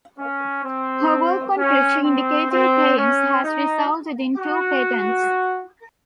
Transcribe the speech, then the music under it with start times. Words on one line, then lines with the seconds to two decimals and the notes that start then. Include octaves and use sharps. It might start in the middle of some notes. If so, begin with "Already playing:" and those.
Her work on pressure indicating paints has resulted in two patents.
0.18 C#4
0.64 C4
1.58 C#4
2.04 C4
2.51 C4
2.97 C#4
3.44 D#4
4.37 F#4